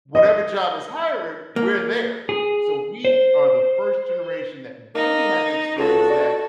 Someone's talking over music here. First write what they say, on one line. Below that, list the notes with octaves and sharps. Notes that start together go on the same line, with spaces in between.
whatever job is hiring, we're there. So we are the first generation that really had to experience that,
D#5
A#3
G#4
C5
A#3 D#4
C#2 F#4 A4
D4